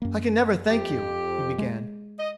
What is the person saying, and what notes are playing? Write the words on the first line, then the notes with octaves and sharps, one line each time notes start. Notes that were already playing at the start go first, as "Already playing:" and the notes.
"I can never thank you," he began.
F#2 A#3
F2 G4
G#3
D#5